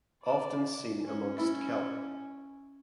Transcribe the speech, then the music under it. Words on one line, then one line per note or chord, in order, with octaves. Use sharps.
Often seen amongst kelp.
D5
C#4
E4